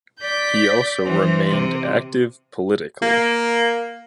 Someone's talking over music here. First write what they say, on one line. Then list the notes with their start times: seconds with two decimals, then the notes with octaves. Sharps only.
He also remained active politically.
0.21 D5 G6 B6
1.05 E3 C5
1.48 C3
3.02 A#3